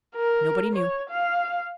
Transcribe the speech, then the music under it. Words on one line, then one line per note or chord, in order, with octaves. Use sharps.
Nobody knew.
A#4
C#5
F5